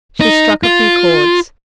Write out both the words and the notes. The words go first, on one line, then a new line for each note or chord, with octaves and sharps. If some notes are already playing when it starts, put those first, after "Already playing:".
She struck a few chords.
D#4
F4